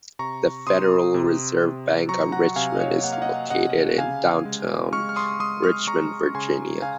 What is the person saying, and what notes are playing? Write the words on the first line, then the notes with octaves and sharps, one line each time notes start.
The Federal Reserve Bank of Richmond is located in Downtown Richmond, Virginia.
C3 A#5 C#6
C3 C6 D#6
C3
C3
F#3 A#5 C#6
F#5 A#5
C3 F5 G#5
D#5
C#5 F5
A#3 F#5
F5
D#5 F#5
C3 D#5 F#5
C#3 F5 G#5
G#3
G#3 C#6 F6
F6
C6 D#6
G#3 C6 D#6
C#6 F6
G#3 A#5 C#6
C#3 G#5 C6
C#3 F5 G#5